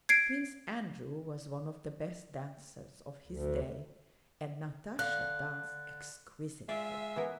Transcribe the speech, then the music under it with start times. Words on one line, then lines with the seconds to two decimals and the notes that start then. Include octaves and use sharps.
Prince Andrew was one of the best dancers of his day and Natasha danced exquisitely.
0.09 G#6 C7 D7
3.27 D2
4.99 D3 F5 F#6
6.69 G#3 F4 D5 E5
7.16 E3 B3 A#4